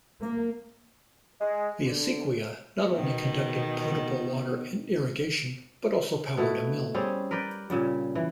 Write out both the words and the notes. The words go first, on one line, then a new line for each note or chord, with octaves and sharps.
The acequia not only conducted potable water and irrigation, but also powered a mill.
A#3
G#3
D3
B2 D#3 B3
B2 A3 E4
G3 C4 C#4 G#4
A#4 B4 D5 G5
A#2 C#3 G3
E3